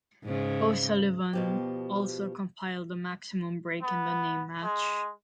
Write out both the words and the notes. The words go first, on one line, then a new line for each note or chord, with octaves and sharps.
O'Sullivan also compiled a maximum break in the same match.
G#2 C#3
B2 F3 G4
B3
G#3